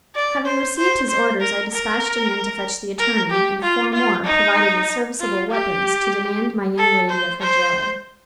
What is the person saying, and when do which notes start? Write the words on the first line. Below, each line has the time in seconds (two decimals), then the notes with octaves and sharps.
Having received his orders, I despatched a man to fetch the attorney, and four more, provided with serviceable weapons, to demand my young lady of her jailor.
0.15 D5
0.46 C5
0.77 C5
1.09 C5
1.41 A#4
1.73 A#4
2.98 A#4
3.31 G4
3.62 F4
3.93 F4
4.25 D#4
5.20 F4
5.51 G4
6.78 A4
7.10 C5
7.40 C5